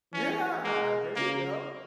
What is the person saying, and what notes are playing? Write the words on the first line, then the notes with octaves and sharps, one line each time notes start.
Yeah, there you go.
E3 C#4
G#3 A#3
C#3 A#3